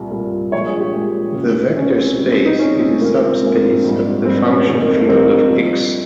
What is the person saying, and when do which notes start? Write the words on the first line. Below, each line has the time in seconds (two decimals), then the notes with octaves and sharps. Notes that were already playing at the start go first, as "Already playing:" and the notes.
The vector space is a subspace of the function field of X.
Already playing: C2 A#2 G3
0.11 C2 A#2 G3
0.52 A#1 A#2 G#3 C#5
0.66 G#4
0.80 G4
0.94 A#1 A#2 G#3
1.35 C#2 C#3 G#3
1.77 C#2 C#3 G#3 C#4
1.98 C4
2.18 C#2 C#3 G3
2.32 C4
2.46 D#4
2.59 C#2 C#3 G3 C#4
2.81 C4
3.01 A#1 A#2 G#3 A#3
3.15 C4
3.29 C4
3.42 A#1 A#2 G#3 A#3
3.84 A#1 G#2 G3
4.25 A#1 G#2 G3 C4
4.46 C#4
4.66 F2 D#3 G3 C4
4.77 A#3
4.88 C4
4.98 A#3
5.09 F2 D#3 G3 C4
5.49 A#1 A#2 G3